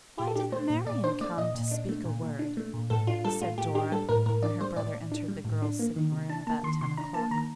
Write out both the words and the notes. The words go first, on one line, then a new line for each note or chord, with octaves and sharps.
'Why didn't Marian come to speak a word?' said Dora, when her brother entered the girls' sitting-room about ten o'clock.
A#2 G4
A4
D4 G4
A3 C5
A#2
A#2 D5
D4 C5
A3 D5
A#2 D#5
A#2
D4
A3
A#2
A#2
D4
A3
A#2
A2 A4
D4 F4
G3 A4
A2 F4
A2 G4
D4 G4
G3 A4
A2 A#4
A2 A#4
D4 D5
G3 C5
A2 D5
A2
D4
G3
A2
D4
A#3
D#3
C3
D4 A5
A#3 A5
D#3 C6
C3 C6
D4 A#5
A#3 A5
D#3 A#5